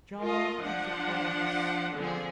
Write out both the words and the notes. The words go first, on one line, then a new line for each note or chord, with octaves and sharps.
John of the Cross.
F4 A#4 D#5
F3 D4 F#5
D3 F3 C4 G#4